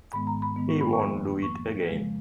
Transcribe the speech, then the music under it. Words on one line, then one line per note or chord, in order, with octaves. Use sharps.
He won't do it again.
G#2 D#3 G#3 B3 B5
A#5
B5
G#2 D#3 G#3 B3
C#6
B5
C#6
F2 F3 A#3
F2 F3 A#3 C#6
C#3 F3 G#3